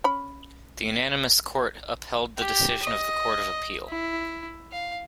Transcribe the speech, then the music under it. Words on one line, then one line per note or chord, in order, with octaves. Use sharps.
The unanimous Court upheld the decision of the Court of Appeal.
C#4 B5
G4
D#5
E4
F5